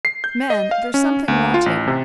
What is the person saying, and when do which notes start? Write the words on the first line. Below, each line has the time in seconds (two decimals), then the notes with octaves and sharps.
'Man, there's something wanting.
0.05 C7
0.24 G6
0.50 D#5
0.71 F5
0.94 C#4
1.28 D2
1.54 F4
1.66 A1
1.87 C3